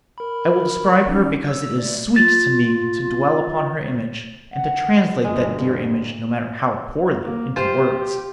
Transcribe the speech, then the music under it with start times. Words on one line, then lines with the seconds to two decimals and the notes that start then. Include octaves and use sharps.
I will describe her because it is sweet to me to dwell upon her image, and to translate that dear image, no matter how poorly, into words.
0.18 A#4 B5
1.08 C#4 D#4
1.48 E6
1.78 A3 D5
2.16 F4 A6
4.53 F#5
5.24 G1 D2 B2 G#3
7.24 A#3
7.56 F4 G4 C5